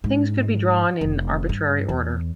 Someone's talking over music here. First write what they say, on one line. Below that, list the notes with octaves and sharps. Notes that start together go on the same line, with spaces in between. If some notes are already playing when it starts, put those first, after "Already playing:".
Things could be drawn in arbitrary order.
G#2
F1
G2
E2